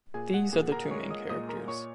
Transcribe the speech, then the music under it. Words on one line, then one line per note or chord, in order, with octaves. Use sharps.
These are the two main characters.
A#2 G#4 G#5
F#5
A#2 G#4 G#5
A#4 A#5
G#3 C#5 C#6
D#5 D#6
A#2 D#5 D#6
A#4 A#5
A#2 C#5 C#6